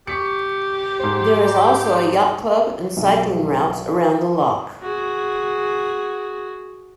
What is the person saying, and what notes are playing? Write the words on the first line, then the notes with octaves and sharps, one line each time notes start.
There is also a yacht club and cycling routes around the loch.
G4 C#6 B6 C#7
G#2 C5
B1
F#4 G#4